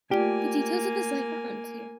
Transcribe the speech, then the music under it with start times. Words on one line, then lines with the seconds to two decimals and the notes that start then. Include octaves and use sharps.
The details of his life are unclear.
0.11 A3 A#3 F4 G4 D5 G#5